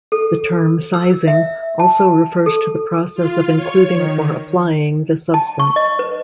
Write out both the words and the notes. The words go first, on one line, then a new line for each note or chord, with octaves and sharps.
The term "sizing" also refers to the process of including or applying the substance.
A4
E6
E5
A5
A4
F4
C#5
D#3
A5
C#6
D#5
B4